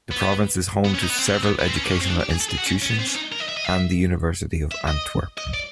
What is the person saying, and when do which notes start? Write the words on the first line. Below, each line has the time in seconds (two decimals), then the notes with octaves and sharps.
The province is home to several educational institutions and the University of Antwerp.
0.11 B3
0.85 B3
0.94 C#4
1.02 D#4
1.10 B3
1.19 C4
1.26 C#4
1.34 C4
1.43 B3
1.59 B3
1.68 C4
1.76 C#4
1.83 D4
1.92 C#4
2.01 C4
2.08 D4
2.20 G4
2.30 G#4
2.41 A4
2.50 G#4
2.58 F#4
2.67 C#4
2.82 C#4
2.90 B3
2.99 C4
3.07 C#4
3.15 D#4
3.32 A#4
3.40 D#5
3.49 E5
3.57 D#5
3.65 E5
4.72 E5
4.88 D#5
5.38 D#5
5.54 D5